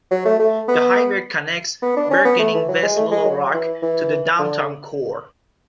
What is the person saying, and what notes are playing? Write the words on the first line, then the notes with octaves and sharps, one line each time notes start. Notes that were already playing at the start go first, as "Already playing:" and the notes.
The highway connects burgeoning West Little Rock to the downtown core.
F#3
A3
A3
B3
B3
D4
C#4
B3
A3
E3
F#3
G#3
A3
G#3
F#3
E3
E3
D3